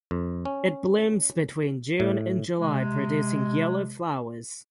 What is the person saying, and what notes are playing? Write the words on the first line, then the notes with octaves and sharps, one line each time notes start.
It blooms between June and July producing yellow flowers.
F2
C#4
A2
C3 G#3